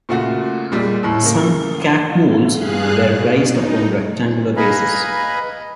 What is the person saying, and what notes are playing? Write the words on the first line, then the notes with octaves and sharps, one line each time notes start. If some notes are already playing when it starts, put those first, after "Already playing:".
Some chacmools were raised upon rectangular bases.
A#2 C#3 A3 F4 F#4
A#2 G3 G#3
D#2 A2
C#3 A3 A#3
G2 G#4 F5 F#6
B2
D#4
B4 D#5 F5 G#5 A#5 B5